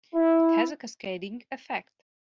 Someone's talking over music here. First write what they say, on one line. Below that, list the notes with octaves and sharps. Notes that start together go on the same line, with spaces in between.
It has a cascading effect.
E4